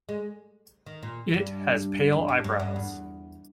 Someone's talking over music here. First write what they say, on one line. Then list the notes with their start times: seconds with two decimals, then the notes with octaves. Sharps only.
It has pale eyebrows.
0.09 G#3
0.86 D#3
1.03 A#2
1.34 G2
2.13 E2
2.28 G2
2.44 G2
2.60 G2
2.76 E2